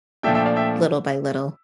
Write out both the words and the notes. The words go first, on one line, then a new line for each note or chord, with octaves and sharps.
little by little.
A#2 F3 A3 D4 E5 G5
E5 G5
D5 F5
E5 G5